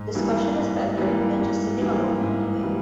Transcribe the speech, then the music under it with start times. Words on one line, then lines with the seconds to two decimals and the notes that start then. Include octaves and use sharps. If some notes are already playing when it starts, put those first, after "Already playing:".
Discussion is better than just sitting alone and doing.
Already playing: G#2
0.14 E3 G3 A#3
0.56 G#2
0.97 E3 G3 A#3
1.39 G#2
1.80 E3 G3 A#3
2.21 G#2
2.63 E3 G3 A#3